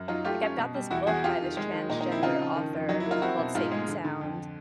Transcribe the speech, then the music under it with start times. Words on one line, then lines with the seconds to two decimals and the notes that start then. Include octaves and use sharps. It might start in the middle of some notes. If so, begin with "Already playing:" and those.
like, I've got this book by this transgender author called Safe and Sound,
Already playing: F#2
0.08 F#3 D#4 F4
0.25 A3 F4 G4
0.42 C#4
0.58 B2
0.74 G3
0.91 E2 E4 F#4
1.07 E2 F#4 G#4
1.24 F2 F4 G4
1.40 D#3
1.57 G#3
1.73 D#3
1.90 A#2 D#4
2.01 D#4
2.07 C4
2.12 E4
2.23 C#3 D#4 F4
2.40 F3
2.56 D#3
2.73 F2
2.89 F#3 D#4
3.00 E4
3.05 A#3
3.11 D#4 F4
3.22 C4 E4 F#4
3.39 B2
3.55 G#2 D#4 F4
3.72 G#3
3.88 D3
4.05 D3
4.21 F2